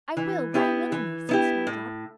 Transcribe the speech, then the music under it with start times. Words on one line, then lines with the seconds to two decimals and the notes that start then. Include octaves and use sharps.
"I will, right willingly," said Snowdrop.
0.17 E3
0.54 B3 E4 G4
0.92 E3
1.29 B3 E4 G4
1.67 A2